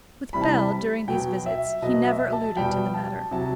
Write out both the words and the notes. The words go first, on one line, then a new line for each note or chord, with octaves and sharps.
With Bell during these visits he never alluded to the matter.
C3 E3 G3 B5
A5
B5
B2 F#3 G5
E5
B2 F#3 D#5
E5
A5
B2 G3 G5
A5
C3 F#3 A5